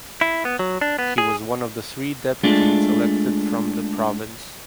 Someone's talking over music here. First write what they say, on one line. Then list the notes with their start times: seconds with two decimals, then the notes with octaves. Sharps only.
He was one of three deputies elected from the province.
0.21 E4
0.45 B3
0.59 F#3
0.81 D4
0.99 B3
1.18 G#4
2.43 G#3 A3 D4 F4